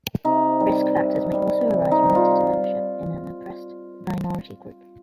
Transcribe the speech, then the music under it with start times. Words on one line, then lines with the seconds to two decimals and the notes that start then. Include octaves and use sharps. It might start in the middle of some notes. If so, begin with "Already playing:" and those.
Risk factors may also arise related to membership in an oppressed minority group.
0.25 C3 D#4
0.60 D#3 G3
0.97 C3
1.32 D#3 G3
1.68 C3
1.91 D#4
2.04 D#3 G3
2.15 F4